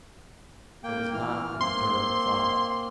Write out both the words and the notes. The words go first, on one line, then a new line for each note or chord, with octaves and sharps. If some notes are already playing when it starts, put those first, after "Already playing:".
It was not an endurable thought.
A#3 G5
E3 F6
A#3 C4 C6